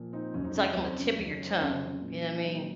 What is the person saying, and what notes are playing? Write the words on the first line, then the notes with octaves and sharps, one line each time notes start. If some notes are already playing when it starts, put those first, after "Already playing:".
it's, like, on the tip of your tongue, you know I mean?
Already playing: A#2 F3
C4 D#4
F2 C3 F#3 C#4
C4 D#4
C#4
F2 C3 F#3 C4
C#4
F2 C#3 F#3 C#4
C#4
C4
F2 C#3 F#3 C#4
C4
C#4
A#2 F#3 C#4
A#2 F#3 C4 D#4